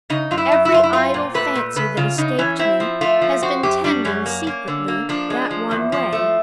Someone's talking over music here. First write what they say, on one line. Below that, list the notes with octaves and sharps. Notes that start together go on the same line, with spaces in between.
Every idle fancy that escaped me has been tending secretly that one way!
C#3 D#4
F#2 F4
E4
F#2
E4
F#2 F4
E4
C4 F4
A#2
A3 B4
A#2
C#3 B4
C#3 F4
C#3 D#4
E3 C#4
C4 E4
F3
A3 F4
F3
C4 F#4
F#2 G4
G3 D4
F#2 C#4
A#3
A#3
D3
A#3
F3 D4
G#3
F3
E2
F3
A3